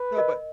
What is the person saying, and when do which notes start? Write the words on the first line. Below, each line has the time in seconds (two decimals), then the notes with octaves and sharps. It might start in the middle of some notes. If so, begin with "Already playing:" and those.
No. But
Already playing: B4
0.17 A#4 D#5